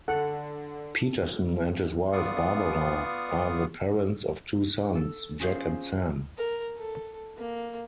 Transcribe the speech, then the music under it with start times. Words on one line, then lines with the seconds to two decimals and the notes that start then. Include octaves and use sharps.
Petersen and his wife, Barbara, are the parents of two sons, Jack and Sam.
0.08 D3 A4 F#5
2.12 B3 F4 D5 F5 C#6 D#6
4.95 A4
5.40 C#4 F4 G#4 C5 F5
6.38 A#4
6.77 A4
7.38 A#3